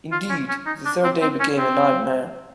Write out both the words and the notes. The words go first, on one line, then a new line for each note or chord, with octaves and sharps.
Indeed, the third day became a nightmare.
F4
C#4
C#4
D#4
D4
C4
C4
C#4
C4